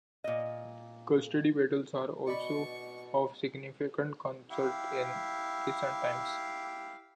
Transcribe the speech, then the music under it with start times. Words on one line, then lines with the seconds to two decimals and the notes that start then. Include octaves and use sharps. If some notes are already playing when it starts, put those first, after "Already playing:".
Custody battles are also of significant concern in recent times.
0.24 A#2 D#5
2.27 B2 D5 D#5 B5 C#6
4.51 E4 G4 F5